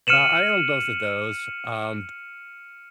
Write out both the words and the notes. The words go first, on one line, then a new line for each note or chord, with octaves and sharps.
Uh, I own both of those. Um,
F6 C#7 D#7 E7 F#7